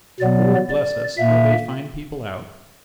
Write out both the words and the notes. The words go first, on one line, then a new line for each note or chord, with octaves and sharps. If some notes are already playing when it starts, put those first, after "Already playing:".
Lord bless us, how they find people out!
B2 F#3 B3 D5
D5
A#2 A#3 E5